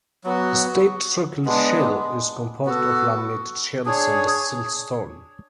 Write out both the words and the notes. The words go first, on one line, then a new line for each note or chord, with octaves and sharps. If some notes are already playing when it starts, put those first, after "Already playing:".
The State Circle Shale is composed of laminated shales and siltstone.
F#3 B3 F#4
G#3 B3 D4
B3 F#4 A4
D4 G#4 C#5